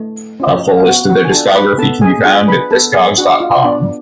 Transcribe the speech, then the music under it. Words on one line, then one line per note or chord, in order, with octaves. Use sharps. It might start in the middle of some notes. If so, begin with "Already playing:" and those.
A full list of their discography can be found at Discogs dot com.
Already playing: A3
C#4 F4
F5
B3 F#4 F#5
F#4 F#5
G#5
D4 F4 A4 A5
B4 B5
B3 A4 A5
G#4 G#5
D4 F4 G#4 G#5
B4 B5
B3 A4 A5
G#4 G#5
D4 F#4 F#5
F4 F5
B3 D4 D5